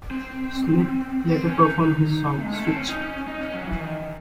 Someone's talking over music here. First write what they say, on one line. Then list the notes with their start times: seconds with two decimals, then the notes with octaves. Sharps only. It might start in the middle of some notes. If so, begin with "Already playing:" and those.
Smith later performed his song "Switch".
0.11 C4
1.32 C4
1.45 C#4
1.59 D#4
1.71 D#4
1.84 D#4
2.41 G#3
2.53 A3
2.65 C4
2.77 C#4
2.88 D#4
3.01 C#4
3.28 D#4
3.41 C#4
3.54 F#3
3.67 E3
3.80 D#3